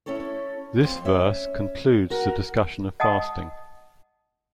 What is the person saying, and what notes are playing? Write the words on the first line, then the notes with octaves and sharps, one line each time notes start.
This verse concludes the discussion of fasting.
C#4 E4 A4 C#5
F2 C5
C#4 E5
F#4 A#4 F#5
D#5 F#5 A5 D#6